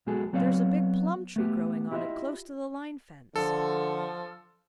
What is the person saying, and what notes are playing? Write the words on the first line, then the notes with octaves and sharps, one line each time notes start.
There's a big plum tree growing on it close to the line fence.
B1 B2 G#3 F#4 G#4 A4
F#3 B3 C4 C#5 D5 F5
A3 B3 G4
E4 F4 G4 B4 D#5 E5
D3 F3 A4